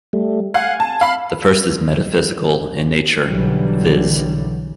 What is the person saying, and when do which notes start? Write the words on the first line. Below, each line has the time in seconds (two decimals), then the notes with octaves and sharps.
The first is metaphysical in nature, "viz".
0.13 G3 A3
0.54 F5 F#5 G#5
0.80 A5
1.01 F5 B5
3.29 B1 D3 E3 F#3 G3